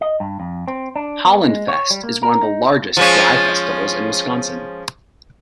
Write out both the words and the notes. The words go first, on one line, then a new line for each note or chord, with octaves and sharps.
Holland Fest is one of the largest "dry festivals" in Wisconsin.
D#5
G2
F2
C4
D4
B3
G#3
C#5
G3
A#3
A#4
D#4
F3 G#3 C#4